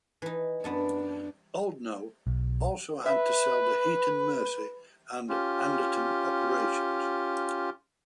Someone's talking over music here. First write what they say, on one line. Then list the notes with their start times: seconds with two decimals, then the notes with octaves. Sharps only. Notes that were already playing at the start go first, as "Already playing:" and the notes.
Oldknow also had to sell the Heaton Mersey and Anderton operations.
0.22 E3 D#4
0.64 F#2 B3 D4 A5
2.27 B1
3.06 B4 E5
5.29 C#4 F4 G4